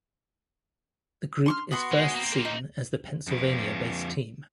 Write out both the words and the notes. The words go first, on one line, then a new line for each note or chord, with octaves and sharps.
The group is first seen as the Pennsylvania-based team.
C6 C#6 F6
B3 F#4 C6
G#3
A#3 C4
A#4
D#4
F2 B4